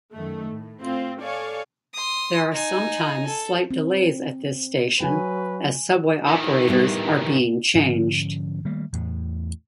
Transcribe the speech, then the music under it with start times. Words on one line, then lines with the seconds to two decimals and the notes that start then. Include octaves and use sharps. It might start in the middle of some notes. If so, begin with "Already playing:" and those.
There are sometimes slight delays at this station as subway operators are being changed.
0.13 F#2 D#3 A3
0.52 A2
0.82 C4 F4
1.21 A4 C#5 D5 F5 G#5 C#6
1.94 C6 D#6
2.52 D#4 G#5
3.26 A4
3.71 C4
5.00 F#3 B4 G5 G#5
6.27 D#3 E3
6.68 A2 G3 B3
7.75 G#2 D3 F3 C#4
8.65 D#3 G3 A3 A#3
8.93 E2 A2